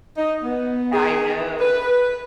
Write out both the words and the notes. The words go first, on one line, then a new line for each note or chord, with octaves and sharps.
I know,
D#4
B3
G#4
B4